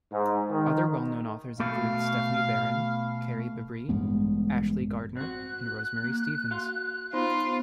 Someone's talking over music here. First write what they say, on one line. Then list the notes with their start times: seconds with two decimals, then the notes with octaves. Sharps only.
Other well-known authors include: Stephanie Barron, Carrie Bebris, Ashley Gardner, and Rosemary Stevens.
0.12 G#2
0.50 D#3
1.60 B2 A3 F5
3.89 A1 G2 G#3 B3
5.17 C4 F#4 F#6
6.04 A#3
6.51 F#4 F5 C6
7.13 B3 C#4 D#4 F4 C5 C6